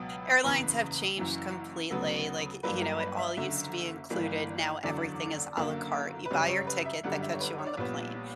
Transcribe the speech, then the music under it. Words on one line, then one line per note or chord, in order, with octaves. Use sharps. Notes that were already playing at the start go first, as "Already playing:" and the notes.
Airlines have changed completely, like, y you know, it all used to be included, now everything is a la carte; you buy your ticket that gets you on the plane,
Already playing: C#2 B2 F#3 B3
F#1 E2 C#3 B4
F#1 F#2 E3
D2 C#3 F#3 B3
G1 G2 F#3 A#3 B4
A#4
B4
E5
F#1 F#2 D3 E5
G1 G2 E3 A#3
F#1 E2 D3 F#3 D5
F#1 F#2 D3 A#3
B4
G1 F#2 C#3 G3 C#5
C#5
B4
E5
G1 F#2 D3 G3 F#5
E5
C#5
B4
C#5
D5
A#1 A#2 G3 B3 C#5